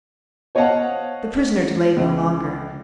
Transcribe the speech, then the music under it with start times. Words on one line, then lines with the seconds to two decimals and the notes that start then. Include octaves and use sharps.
The prisoner delayed no longer.
0.55 C5 C#5 D#5 F5 F#5 A5
1.96 C#2